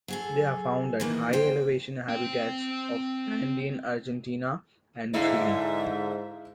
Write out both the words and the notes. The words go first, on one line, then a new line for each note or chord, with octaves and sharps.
They are found at high elevation habitats of Andean Argentina and Chile.
F#3 G#4 A4
D#3 E3 A#3
E2 C5 G5
C4 G5
G#2 D3 D#4 E4 E5 F5